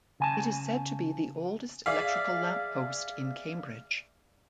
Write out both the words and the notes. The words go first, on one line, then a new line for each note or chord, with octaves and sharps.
It is said be the oldest electrical lamppost in Cambridge.
C#3 G#5 A5
G#4 D5 E5 F5